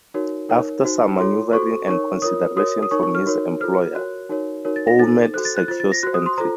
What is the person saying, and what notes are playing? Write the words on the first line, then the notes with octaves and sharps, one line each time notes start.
After some maneuvering and consideration from his employer, Ouimet secures entry.
D#4 F#4 A#4 C#5
D#4 A#4 C#5
D#4 F#4 C5
F4 A4 C#5 C6
F#4 A4 C5 C#6
D#4 A#4 C#5 C#6
F4 A#4 C#5 D#6
F#4 A#4 C#5 D#6
D#6
D#4 A#4 C#5 C#6
C#6
F6
D#4 F#4 A#4 C#5
F4 A4 C5 F6
F#4 A#4 C#5 F#6
D#4 F#4 A#4 C#5
D#4 F#4 A#4 C#5
A6
A#6
D#4 A4 C5 A6
F#4 A4 C5 F#6
A6
F#6
F4 C5 A6
A6
A#6
F#4 C5 F#6
D#6
C6
F4 A4 C5 A#5